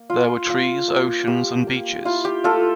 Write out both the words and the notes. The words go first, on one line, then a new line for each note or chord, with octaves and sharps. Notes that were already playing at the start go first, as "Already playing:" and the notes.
There were trees, oceans and beaches.
Already playing: A#3
F4
F4
A#3
F4 G4
A#3
E4 F4
G4
A3 F4 A4